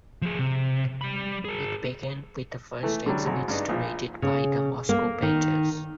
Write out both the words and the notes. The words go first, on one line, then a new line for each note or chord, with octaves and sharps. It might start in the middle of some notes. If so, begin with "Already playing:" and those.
It began with the first exhibits donated by the Moscow painters.
F3 G#4
C3
G3 B5
G#4 A#4
E3 A3
D3 F#3 G3
G#1 F#3
G2 D4 D#4
A#1 F3
C#3
A#3
D#3